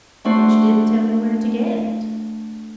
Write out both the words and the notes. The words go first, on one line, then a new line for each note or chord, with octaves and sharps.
"But you didn't tell me where to get it."
A3 D4 F#4 C5